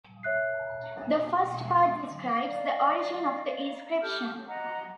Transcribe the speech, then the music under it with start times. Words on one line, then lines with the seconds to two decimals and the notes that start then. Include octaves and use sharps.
The first part describes the origin of the inscription.
0.23 C#5 E5 F#6 C7
2.46 D5 D#5 F5
4.01 G4 A4 F6 G6
4.47 D#5 F#5 A#5